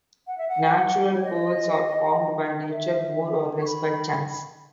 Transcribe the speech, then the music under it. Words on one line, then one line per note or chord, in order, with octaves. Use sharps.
Natural pearls are formed by nature, more or less by chance.
F#5
E5
F#5
C#5
D#5
E5
C#6
B5